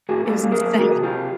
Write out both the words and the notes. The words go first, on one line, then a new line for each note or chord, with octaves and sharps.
It was insane.
A2 F#4 G#4
A#3 G4 A4
A#3
G#4 A#4
A#3
E3 F#4 G#4
C3
F4 G4
C3